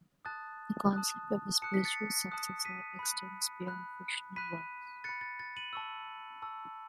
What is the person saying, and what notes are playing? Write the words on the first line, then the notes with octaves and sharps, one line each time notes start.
The concept of a "spiritual successor" extends beyond fictional works.
A5 D#6 F#6 A6
A5 D#6 F#6
A5 D#6 F#6 C#7
B6
A6 C#7
A5 D#6 F#6
B6 D#7
B5 F#6
B5 F#6
B5 F#6 B6 D#7
B5 F#6 A6 C#7
A6
A6
D#7 F#7
A5 C#6 E6
A5 C#6 E6